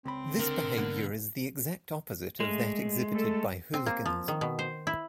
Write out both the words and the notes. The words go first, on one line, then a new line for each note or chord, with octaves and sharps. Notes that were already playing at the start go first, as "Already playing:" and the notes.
This behavior is the exact opposite of that exhibited by hooligans.
C#2 C4 B5
D3 A#4
B2 A#3 B3
G#3 A3
A3 A4
C4
A#3
F3
D#3
B2
C5
E4